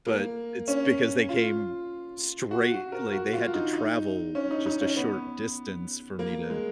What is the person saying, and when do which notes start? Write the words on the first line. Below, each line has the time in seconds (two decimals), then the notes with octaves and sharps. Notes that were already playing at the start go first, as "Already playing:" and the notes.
but it's because they came straight, like, they had to travel just a short distance for me to
0.07 A#3
0.68 C#4
1.29 F4
2.51 F#4
2.72 F#4
2.92 A#4
3.12 F#4
3.33 F4
3.54 D#4
3.73 D#4
4.35 C#4
4.51 D#4
4.66 D#4
4.81 C#4
4.96 B3
6.19 A#3
6.50 G#3